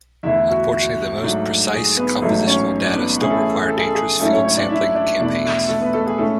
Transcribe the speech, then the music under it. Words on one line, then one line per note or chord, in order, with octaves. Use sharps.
Unfortunately, the most precise compositional data still require dangerous field sampling campaigns.
E2 D3 A3 E4 E5
F#4
F#4
G#2 F#3 A3 D4
G#4
B3 B4
A1 G#2 F#3 A3 A4
C#4 C#5
D4 D5
B3 B4
A2 E3 A3 C#4 E4 G#4
A4
G#4
A4
G#4
A4
G#4
A4
G#4
G#2 F#3 A3 C#4 E4 A4
C#4 C#5
C#4 C#5
D4 D5
E4 E5
D4 D5
E2 B2 A3 D4 E4 D5
A3 A4
A3 A4
B3 B4
A3 A4
G#4
A2 G#3 A3 C#4 A4